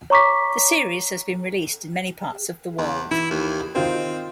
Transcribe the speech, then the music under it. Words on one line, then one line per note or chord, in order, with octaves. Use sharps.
The series has been released in many parts of the world.
C#5 A#5 C#6 D6 B6
E2
E3 E4
D#2
D#3 C4 F4 C5